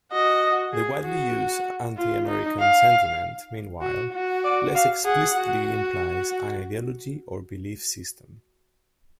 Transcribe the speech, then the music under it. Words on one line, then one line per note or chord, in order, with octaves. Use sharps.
The widely used "anti-American sentiment", meanwhile, less explicitly implies an ideology or belief system.
F#4 D#5
G#4
F#4
F4
D#4
F5
F#4
F#4
D5
F5
G#4 F#5
F#4